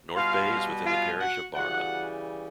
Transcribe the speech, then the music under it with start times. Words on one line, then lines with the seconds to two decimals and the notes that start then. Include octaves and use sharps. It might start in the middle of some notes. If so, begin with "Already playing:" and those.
Northbay is within the parish of Barra.
0.15 B2 G3 F4 F5
0.84 F4 F5
1.19 F#4 F#5
1.54 C#3 E3 G3 F#4 F#5